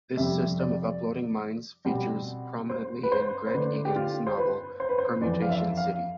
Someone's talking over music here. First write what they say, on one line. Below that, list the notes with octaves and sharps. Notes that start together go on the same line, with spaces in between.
This system of uploading minds features prominently in Greg Egan's novel "Permutation City".
F2 C3 G3 C4 E5
D5
B2 G3 C4
C5
B4
C5
C5
D3 A3 D4 B4
G4
F4
C5
B4
C5
B4
C5
F2 E3 B3 D5
F5
E5
F5